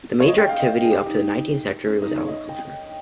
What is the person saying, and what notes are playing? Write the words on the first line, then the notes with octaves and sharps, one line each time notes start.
The major activity up to the nineteenth century was agriculture.
C#5
D#5
G5
F5
D#5
G#4
G4
D#4
C#4
D#4
C#5
D#5
G5